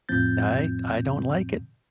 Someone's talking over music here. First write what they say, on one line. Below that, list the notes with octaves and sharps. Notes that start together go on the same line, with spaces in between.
I I don't like it.
F2 A2 F3 C4 G6 A6